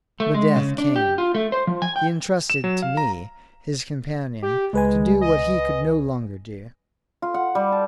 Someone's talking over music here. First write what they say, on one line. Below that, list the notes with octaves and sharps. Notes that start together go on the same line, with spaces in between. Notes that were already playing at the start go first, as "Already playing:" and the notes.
But death came--he intrusted to me, his companion, to do what he could no longer do.
A3
G#3
C#3
D4
G4
F4
A3
C5
F3
G#5
G5
E7
F#3
F5
A#5
G4
C#2 G#3 B4 G#5
D#5
F4
F#5
G3
A5